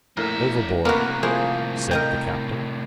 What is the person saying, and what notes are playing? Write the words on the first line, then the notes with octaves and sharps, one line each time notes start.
"Overboard!" said the captain.
A#1 F2 A2 A#4 E5
A2 C3 A#3 B3 F#4 A#4
F3 A#3 G#4 C5
A#4 D#5 G5 A#5